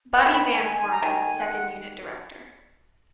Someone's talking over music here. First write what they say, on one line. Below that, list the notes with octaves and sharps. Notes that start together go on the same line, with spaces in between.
Buddy Van Horn was the second unit director.
C#6
D#3 B5
G#5
G#5
A#5
D#3 G#5
F#5